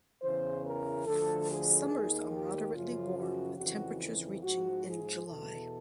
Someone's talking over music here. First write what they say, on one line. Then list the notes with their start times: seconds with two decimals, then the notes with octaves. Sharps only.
Summers are moderately warm with temperatures reaching in July.
0.22 E2 C#3 E3 C5
0.65 A#4
1.06 D2 D3 F3 A4
1.49 G#4
1.91 D#2 D#3
2.32 G4
2.75 F#2 C#3 F3 F4
3.17 F#4
3.58 F2 C#3 E3 F#4
4.42 G#2 F3 F#4
4.84 G#4
5.26 E2 B2 A4